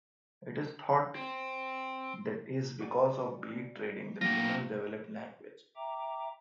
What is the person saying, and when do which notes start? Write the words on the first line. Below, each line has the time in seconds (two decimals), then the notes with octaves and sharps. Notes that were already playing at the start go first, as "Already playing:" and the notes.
It is thought that is because of bead trading that humans developed language.
1.15 C4
2.81 F#4 D5 G#5
4.21 F#3 A#3 D4 F4 G4 A#6
5.76 E5 G5 A#5 D6